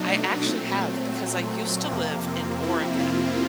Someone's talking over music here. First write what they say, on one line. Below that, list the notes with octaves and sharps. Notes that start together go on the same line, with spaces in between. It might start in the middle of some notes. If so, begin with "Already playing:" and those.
I actually have because I used to live in Oregon.
Already playing: B2 F#3 A3 D4 D#4
A#2 F#3 A3 C4
F2 C3 F3 A#3
C4
E4
F4